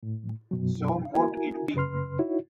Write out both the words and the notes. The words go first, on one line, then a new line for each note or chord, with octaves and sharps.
So mote it be.
A2
F#2 B2 F#3
E4 F#4 A#4 G#5
F#2 C#3 B4 C6 F6
D#4 E4 F#4 C#5